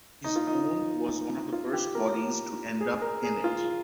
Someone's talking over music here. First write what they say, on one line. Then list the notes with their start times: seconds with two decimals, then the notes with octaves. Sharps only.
His own was one of the first bodies to end up in it.
0.24 D#4
0.36 F4
0.47 D#4
1.52 F4
1.73 G4
1.95 A#4
2.81 G#4
3.02 A#4
3.23 G#4
3.44 F4